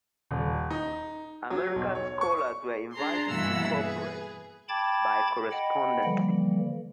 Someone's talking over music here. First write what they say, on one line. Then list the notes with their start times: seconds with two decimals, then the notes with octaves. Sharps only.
American scholars were invited to co-operate, by correspondence.
0.31 D#1
0.70 D#4
1.50 F#3
1.76 B1
1.95 C#5
2.21 C#6
2.93 D4 G#4 A#5 C6
3.28 G2 B2 E3 A#3 F#5 E6
3.75 G#4 B4
4.69 G5 A5 B5 D6 G#6 A6
5.51 D#5 F#5 G5 B5
6.04 D3 E3 F3 G3 A#3